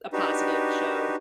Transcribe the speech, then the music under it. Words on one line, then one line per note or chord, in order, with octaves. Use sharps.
a positive show.
D4 D#4 F#4 G4 B4